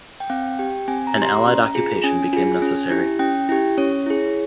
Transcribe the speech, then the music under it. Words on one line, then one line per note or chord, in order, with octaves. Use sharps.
An Allied Occupation became necessary.
G5
C4 F5
G4 G5
C4 G#5
A#5
G4
C6
A#5
C#4
F4 G#4
C#4 G#5
F4 G#4
C#4
E4 G4
C#4 G5
E4 G4
C#4 C#5
E4 G#4